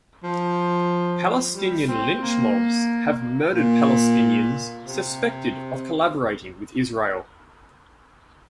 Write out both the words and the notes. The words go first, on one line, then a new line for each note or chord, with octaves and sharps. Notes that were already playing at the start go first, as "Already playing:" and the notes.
Palestinian lynch mobs have murdered Palestinians suspected of collaborating with Israel.
F3
G3
C4
A#3
A#2
C3